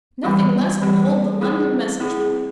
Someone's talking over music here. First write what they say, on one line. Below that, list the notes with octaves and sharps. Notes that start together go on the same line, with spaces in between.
Nothing less will hold the London message-boy.
E3 G3 C4 G4
E3 G3 C4 G4
C4 E4 G#4
C4 E4 G#4